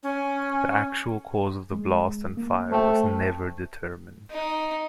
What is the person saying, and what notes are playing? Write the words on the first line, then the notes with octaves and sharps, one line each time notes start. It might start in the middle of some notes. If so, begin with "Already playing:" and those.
The actual cause of the blast and fire was never determined.
C#4
G#3
A#3
A3 C5 G5
D#4